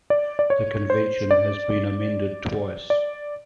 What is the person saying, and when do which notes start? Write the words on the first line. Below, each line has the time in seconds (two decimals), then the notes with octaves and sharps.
The Convention has been amended twice.
0.10 D5
0.39 D5
0.50 C#5
0.90 C5
1.31 D5
2.90 D5